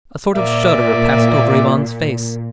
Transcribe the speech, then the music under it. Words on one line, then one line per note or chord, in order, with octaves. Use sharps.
A sort of shudder passed over Ivan's face.
A#2 A#3 D5 E5